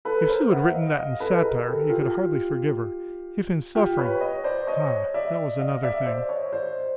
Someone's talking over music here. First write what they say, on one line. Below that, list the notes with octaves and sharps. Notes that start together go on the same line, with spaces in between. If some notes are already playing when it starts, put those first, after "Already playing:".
If Sue had written that in satire, he could hardly forgive her; if in suffering--ah, that was another thing!
A4 B4
A#4 C5
E5 F#5
D#5 F5
D#5 F5
A4 B4
G#4 A#4
G4 A4
F4 G4
F4 G4
B4 C#5
C#5 D#5
C5 D5
C#5 D#5
D5 E5
D#5 F5
D5 E5
C5 D5
C#5 D#5
C5 D5